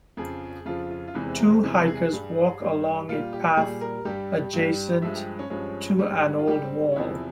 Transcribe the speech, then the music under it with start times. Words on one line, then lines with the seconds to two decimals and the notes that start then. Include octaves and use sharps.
Two hikers walk along a path adjacent to an old wall.
0.17 F2 C#3 F3 G#4
0.65 F2 C#3 F3 F4
0.90 F4
1.08 F4
1.14 E2 C3 E3 G#3 E4
1.26 C4
1.39 A#3
1.50 C4
1.63 E2 C3 E3 G#3 E4
1.88 G#4
2.12 G2 G3
2.60 G2 G3
3.08 A#2 G3 F4
3.33 G4
3.57 A#2 G3 G#4
3.81 A#4
4.05 G2 G3 G4
4.53 G2 G3
5.02 G2 F3 G#3 E5
5.15 G4
5.39 C#4
5.50 G2 F3 G#3 C#4
5.99 G#2 G3
6.39 F4
6.47 G#2 G3 G4
6.64 C4
6.92 C#4
6.96 E2 C3 F3 E4